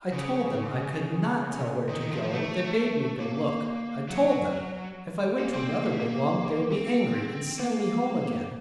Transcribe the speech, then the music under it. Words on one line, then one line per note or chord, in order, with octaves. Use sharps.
I told them, I could not tell where to go, they bade me go look; I told them, if I went to another wigwam they would be angry, and send me home again.
C#3
D#3
D#3
F3
F3
A3
A#3
F#3
A#3
C4
A#3
A#3
A3
A#3
C4
A#3